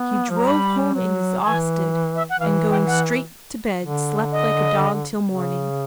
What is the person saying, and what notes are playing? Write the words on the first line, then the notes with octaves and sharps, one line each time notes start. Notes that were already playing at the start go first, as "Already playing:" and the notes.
He drove home exhausted, and going straight to bed slept like a dog till morning.
Already playing: B3
F3
F#3 A#5
G3 B5
F#3
E3 G#5
E5
F#5
E3 F5
G5
F#5
D3
D#5
C#3